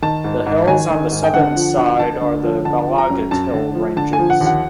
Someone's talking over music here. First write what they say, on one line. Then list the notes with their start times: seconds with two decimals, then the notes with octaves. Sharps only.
The hills on the southern side are the Balaghat Hill ranges.
0.02 D#3 A5
0.24 G#2
0.46 G#2
0.68 D#3 G#5
0.90 D#3
1.12 G#2
1.24 G5
1.34 D3 F#5
1.56 F3
1.77 D2
1.99 D2 A5
2.21 D3
2.43 F3
2.65 D3 A5
2.87 F3
2.98 A#5
3.10 F#2
3.31 F#2 A5
3.53 D3
3.75 F3
3.96 D3 A5
4.13 G#5
4.19 F3
4.30 F#5
4.41 D#2
4.46 F#5